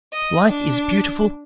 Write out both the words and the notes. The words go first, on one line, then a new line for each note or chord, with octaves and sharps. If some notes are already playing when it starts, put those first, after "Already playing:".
Life is beautiful.
D#5
D4